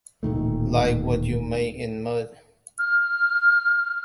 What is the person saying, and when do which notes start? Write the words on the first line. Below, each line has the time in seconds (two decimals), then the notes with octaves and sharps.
Like what you make in mud.
0.23 D1 A#2 D#3 A3
2.79 F6